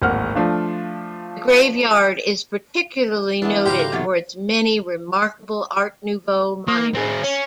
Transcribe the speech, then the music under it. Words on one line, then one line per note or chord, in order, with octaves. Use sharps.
The graveyard is particularly noted for its many remarkable art nouveau monuments.
D1 G#1 A#3 F#5 F6
F3 A3 D4 F4
E3 A3 B3 D4
G#2 C#3 G3 G4 C5 F5 A#5
A#3 F#4 A4 F5
B1 C3 E3 F#3 F4 D6 A6
A#3
C4 G#4
C#4